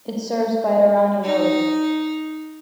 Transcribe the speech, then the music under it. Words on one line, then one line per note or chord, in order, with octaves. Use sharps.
It serves Baitarani Road.
D#4